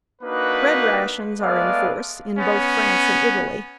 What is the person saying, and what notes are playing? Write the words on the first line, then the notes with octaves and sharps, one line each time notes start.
Bread rations are in force in both France and Italy.
A#3 D4 D#4 F#4 B4
G#3 A3 B3 B4 D5 F5
B3 C#4